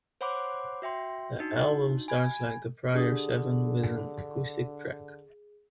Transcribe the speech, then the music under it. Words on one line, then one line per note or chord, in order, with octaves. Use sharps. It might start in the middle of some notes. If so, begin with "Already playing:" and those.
The album starts like the prior seven, with an acoustic track.
C5 C#5 F#5 B5 C6 D6
F#4 E5 G5 C6
D4 D#4 F#4
G#5 B5 G#6
D3 D4 G4 G#4 D#6